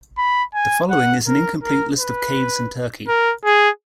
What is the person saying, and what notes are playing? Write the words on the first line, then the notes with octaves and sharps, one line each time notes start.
The following is an incomplete list of caves in Turkey.
B5
G#5
F#5
A#4
A#4
B4
A#4
G#4